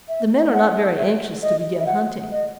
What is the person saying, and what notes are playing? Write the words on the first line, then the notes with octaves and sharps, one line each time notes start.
The men are not very anxious to begin hunting.
E5
F#5
E5
D#5
E5
F#5
D#5